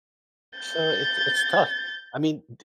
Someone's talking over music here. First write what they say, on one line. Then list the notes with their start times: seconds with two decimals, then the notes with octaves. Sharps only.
So it's it's tough. I mean, d
0.59 G6 A6